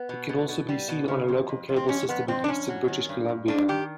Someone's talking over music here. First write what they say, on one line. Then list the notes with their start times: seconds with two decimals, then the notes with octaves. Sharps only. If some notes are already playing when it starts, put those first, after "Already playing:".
It can also been seen on local cable systems in eastern British Columbia.
Already playing: B3
0.09 B2
0.29 B2
0.48 B2
0.69 G3
0.89 B2
1.08 C#3
1.28 F2
1.49 F2
1.69 F2
1.76 C4
1.88 F2 C#4
2.09 F2 B3
2.28 F2 C4
2.44 D4
2.48 F2 C#4
2.69 F#3
2.88 D#3
3.09 G2
3.29 G2
3.48 G2 D4
3.68 D#3 G4